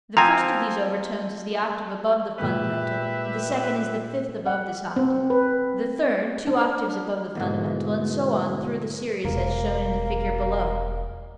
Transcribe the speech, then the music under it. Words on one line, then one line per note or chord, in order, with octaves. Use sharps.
The first of these overtones is the octave above the fundamental; the second is the fifth above this octave; the third, two octaves above the fundamental, and so on through the series as shown in the figure below.
F3 C4 G#5 A#5
A#2 G#3 G4 B4 E5
F#5
C4
B4
D4
E2 G#2 B2 D3 A#3 E4
E1 A#3